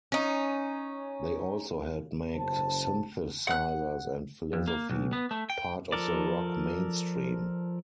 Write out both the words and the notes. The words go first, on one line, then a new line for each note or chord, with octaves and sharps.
They also helped make synthesizers and philosophy "part of the rock mainstream".
C#4 D#4
F#1 C#3 C5 A5
F#5 F#6
F2
A#3
B1
B3
A3
G5
F3 A4 A#4 D5